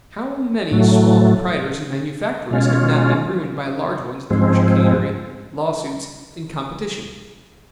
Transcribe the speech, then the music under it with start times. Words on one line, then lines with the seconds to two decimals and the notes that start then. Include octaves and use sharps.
How many small proprietors and manufacturers have not been ruined by large ones through chicanery, law-suits, and competition?
0.72 A2 F#3 A3
2.51 B2 G#3 C#4 F4
4.30 G#2 F3 G#3 C4